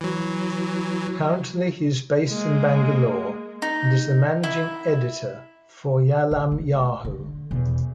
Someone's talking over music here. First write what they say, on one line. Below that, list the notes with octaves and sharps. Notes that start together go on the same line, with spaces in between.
Currently he is based in Bangalore and is the Managing Editor foryalam Yahoo!
E3 F#3
G#3 A#3
D#4
E4
D3
A3
D3
E2 B2